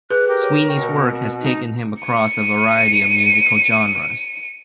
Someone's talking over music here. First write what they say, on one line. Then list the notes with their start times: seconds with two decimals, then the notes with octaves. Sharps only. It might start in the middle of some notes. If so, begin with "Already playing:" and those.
Sweeney's work has taken him across a variety of musical genres.
0.11 G#4 B4 F#6
0.28 G4 A#4
0.44 C#5
0.69 B2 G5 C#6
0.97 C4
1.41 D#4
2.03 C#7 D#7